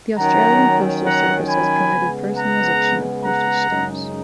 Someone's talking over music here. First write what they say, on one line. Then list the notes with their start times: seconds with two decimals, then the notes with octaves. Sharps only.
The Austrian Postal Service has permitted personalisation of postage stamps.
0.17 D#3 F#3 C#4 F#5 A#5
1.05 F#5 A#5
1.48 G#5 B5
1.93 C#3 G#3 B3
2.37 F#5 A#5
3.25 F#5 A#5
3.68 F#2 C#3 G#3 D#4